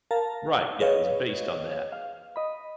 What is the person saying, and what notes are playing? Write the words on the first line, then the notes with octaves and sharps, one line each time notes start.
Right, yeah, it was based on that.
A#4 F5 A5 A#5
G#4 B4 C#5 D#5 F5
F5
D#5 B5